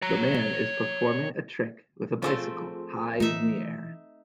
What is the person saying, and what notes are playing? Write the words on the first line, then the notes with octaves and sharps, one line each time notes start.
The man is performing a trick with a bicycle high in the air.
C#5 A#5
F3 A3 C4 F4 G#4 C5
E3 A3 D#4 E5